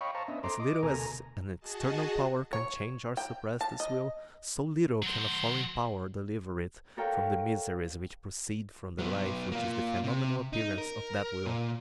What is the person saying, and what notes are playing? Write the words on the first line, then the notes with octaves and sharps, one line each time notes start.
As little as an external power can change or suppress this will, so little can a foreign power deliver it from the miseries which proceed from the life which is the phenomenal appearance of that will.
C#5 D#5 F5 G5 B5 C#6
C5 F5 A5 A#5 C#6
B3 C#4 D4 D#5 E5
A4 C5 A#5 C6 D6
D#5 D6
D2 B2 A4 A#4 G#5 A#5
F#4 G#4 D#5 A5
C#5
G5
A5
D#5
F#3 C5
F#4 A4 A#4 C#5 F5 G5
F#3 B3
A#3 F4
C3
D#4
A#4
A#2